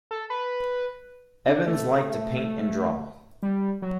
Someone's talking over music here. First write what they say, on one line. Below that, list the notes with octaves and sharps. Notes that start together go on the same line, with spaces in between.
Evans liked to paint and draw.
A4
B4
D4
A3
G3
F#3